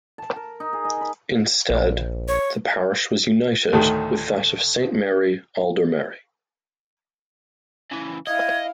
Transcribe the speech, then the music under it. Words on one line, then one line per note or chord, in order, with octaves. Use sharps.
Instead the parish was united with that of Saint Mary Aldermary.
A5
A#4
D#4
G#4
D#5
B5
A#1
C#5
D2 A2 D#3 A3
C#3 E3
E4 D#5 F5 G#6